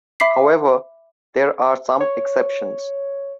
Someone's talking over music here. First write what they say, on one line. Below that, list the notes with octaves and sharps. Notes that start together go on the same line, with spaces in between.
However, there are some exceptions.
E5 B5 D6 B6 C7
C#5